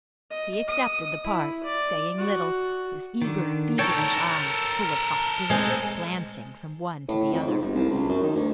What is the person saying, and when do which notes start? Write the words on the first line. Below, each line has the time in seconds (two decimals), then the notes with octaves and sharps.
He accepted the part, saying little, his eager, feverish eyes, full of hostility, glancing from one to the other.
0.30 D#5
0.68 D#6
1.24 E4
1.63 D5
2.18 F#4
3.22 D3 D#3
3.79 A4 A#4 C#5 G5 A5 A#5
5.50 G#3 C4
7.09 A2
7.33 F2
7.48 G#2
7.61 G1
7.75 C2
7.90 C#2
8.09 F#2
8.23 D#3
8.36 D2